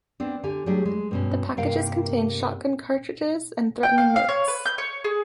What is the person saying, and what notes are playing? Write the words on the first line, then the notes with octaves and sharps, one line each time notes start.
The packages contained shotgun cartridges and threatening notes.
B3 C4 D4
D3 G4 G#5
F#3 G3 A3 D4 G4 G#4
G#3
G2 B2 C#4
G2 C3 A#3 A#4 F5 G5
G5
F5
F5
C#5
B4
G6
C#5
G#4